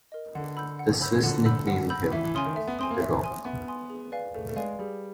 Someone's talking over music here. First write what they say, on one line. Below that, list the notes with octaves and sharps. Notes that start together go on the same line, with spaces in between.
The Swiss nicknamed him The Rock.
A#4 D#5
D3 F#5
B5 E6 G6
F#5
B5 E6 G6
D3 F#5
B5 E6 G6
F#5
B5 E6 G6
E3 E5
E3
C#3 G#5 C6 D#6
D#3
A3 E5
B3
C4 G#5 C6 D#6
A#3
E5
G#5 C6 D#6
B3 E5
G#5 C6 D#6
G#4
B4 D5 F5 G#5
A3 G#4
A3
G#3 B4 D5 F5 G#5
G3 G#4